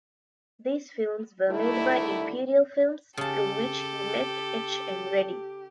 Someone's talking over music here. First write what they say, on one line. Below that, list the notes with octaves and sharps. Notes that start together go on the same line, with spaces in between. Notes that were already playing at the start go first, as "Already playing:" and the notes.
These films were made by Imperial Films, through which he met H. M. Reddy.
D3 D#3 G3 A3 E4
C#3 G4 A4 A5